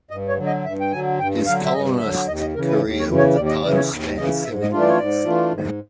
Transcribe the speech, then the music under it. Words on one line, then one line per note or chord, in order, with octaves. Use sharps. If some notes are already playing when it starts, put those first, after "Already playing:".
His columnist career with the "Times" spanned seven years.
G2 D#5
C#5
D3 F#3
D#5
G2 E5
G5
D3 F#3 G#5
G2 G5
D3 F#3 F5
E5
G2 D#5
D3 F#3 E5
D#2 D#5
D#5
C#3 E3 A#4
B4
D#2
C#5
C#3 E3
C#5
D#2 D5
D5
D#5
C#3 E3 D5
C#5
D#2
C#3 E3 D#5
G#2 E5
D#5
E3 A3 D4 F4
D5
C#5
G#2 D5
E3 A3 D4 F4
G#2